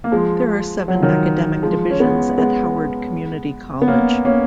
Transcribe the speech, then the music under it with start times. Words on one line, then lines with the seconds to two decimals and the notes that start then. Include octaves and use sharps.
There are seven academic divisions at Howard Community College.
0.04 A#3
0.12 F3 G#3
0.88 F#3
0.95 F3
1.02 D#3 F#3
1.63 F3 G#3
1.90 C#4
2.00 G#3 B3
2.38 G#3 B3
3.82 B3
3.87 A#3 C#4
4.25 A#3 C#4